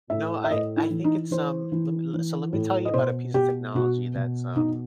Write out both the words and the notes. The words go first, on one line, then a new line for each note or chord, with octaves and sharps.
No, I I think it's, um, let me So, let me tell you about a piece of technology that's, um,
A2 E5
E5
A2 D#5
E4
E3
D#4
E3 C5
E3
E3
A2
D#5
B2 C5
B2 G4
B2 F#4
B2
B2 D#4